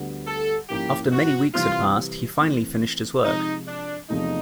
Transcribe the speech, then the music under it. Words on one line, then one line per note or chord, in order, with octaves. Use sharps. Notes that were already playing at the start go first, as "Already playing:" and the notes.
After "many weeks had passed," he finally finished his work.
Already playing: D2 D3 G3 B3
A4
G#2 F3 A#3 C#4 E4 G4
F#4
C3 E3 G3 C4 F4
E3 A3 C4
C3 F3 G#3 D#4
D4
E2 C3 F3 A3 D#4